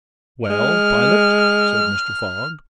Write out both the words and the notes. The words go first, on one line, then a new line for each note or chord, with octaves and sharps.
"Well, pilot?" said Mr. Fogg.
G#3 F6